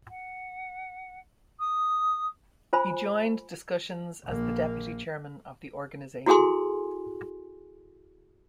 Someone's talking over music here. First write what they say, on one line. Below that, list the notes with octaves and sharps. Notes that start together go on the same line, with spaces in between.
He joined discussions as the Deputy Chairman of the organization.
F#5
D#6
F4 C5 G#5 B5
A#1 A#3
E4 F#4 G#4 A4 G#5 C6